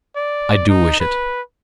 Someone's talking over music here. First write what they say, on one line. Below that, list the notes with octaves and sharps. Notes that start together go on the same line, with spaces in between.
"I do wish it."
D5
D#4
B4